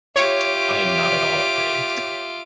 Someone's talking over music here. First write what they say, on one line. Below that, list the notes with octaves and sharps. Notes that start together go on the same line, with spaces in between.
I am not at all afraid.
F4 G4 C#5 E5 D6